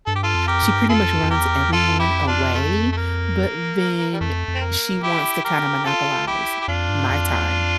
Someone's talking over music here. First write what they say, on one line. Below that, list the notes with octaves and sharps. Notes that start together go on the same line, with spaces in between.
she pretty much runs everyone away, but then she wants to kinda monopolize my time,
G2 A4
G4
F4 A4
F2
G4 A#4
G2
F2 F4 A4
F2
E2 G4 A#4
F2 F4 A4
E4 G4
D4 F4
A3
A3
A#3
G3
F2 A3
F2
C4
A#3
E4 G4
G4 A#4
F4 A4
E4 G4
G4
F2 D4 F4
G2
F2
E2
F2